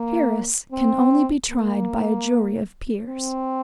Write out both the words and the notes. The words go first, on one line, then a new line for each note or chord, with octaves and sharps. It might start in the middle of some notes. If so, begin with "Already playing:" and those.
A peeress can only be tried by a jury of peers.
Already playing: A#3
C4
A#3
C4